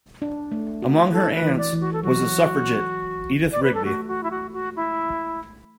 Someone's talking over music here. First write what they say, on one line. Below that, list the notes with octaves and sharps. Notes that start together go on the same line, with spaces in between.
Among her aunts was the suffragette Edith Rigby.
D4
A3
F#4
E4 A4
B4
E3
D5
E3
F#4
A4
F#3 F#4
D5
B4
A4
A3 F#4
F#4
E4
F#4
F#4
E4